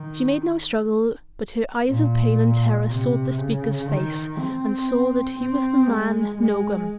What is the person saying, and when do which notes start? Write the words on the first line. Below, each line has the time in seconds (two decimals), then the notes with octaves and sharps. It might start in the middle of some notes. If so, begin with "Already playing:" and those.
She made no struggle, but her eyes of pain and terror sought the speaker's face, and saw that he was the man Nogam.
Already playing: D#3
1.88 A#2
2.88 C3
3.38 C#3
3.88 D#3
4.38 C4
5.38 C4
5.88 G#3
6.38 G#3